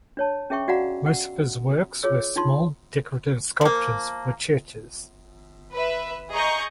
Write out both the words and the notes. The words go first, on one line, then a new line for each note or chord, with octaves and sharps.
Most of his works were small decorative sculptures for churches.
D4 C#5 A5
C#4 G#4 E5 G5 C#6
F#4 D5 F5 F#5 A#5
F#5
F4 G#4 C#5 E6
D4 D#4 F4 C6
F3 A#3
B4 E5
G#4 D#5 A#5 C#6 G6